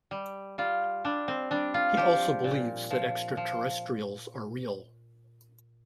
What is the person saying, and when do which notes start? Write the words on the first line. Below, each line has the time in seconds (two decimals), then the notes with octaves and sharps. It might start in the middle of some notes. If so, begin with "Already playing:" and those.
He also believes that extraterrestrials are real.
0.11 G3
0.58 G3 F4
1.05 G3 D4
1.28 C4
1.51 G3 D4
1.74 F4
1.97 F3 G4
2.44 A#2
2.91 F3
3.37 F3